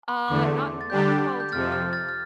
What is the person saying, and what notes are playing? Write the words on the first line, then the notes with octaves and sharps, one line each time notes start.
Uh, not in not in Call of Duty.
C6
E2 D3 A3 D6
A6
D3 G3 D4 G4 G6
G6
F2 C3 F3 F6 A6
F6
F6 A6
F6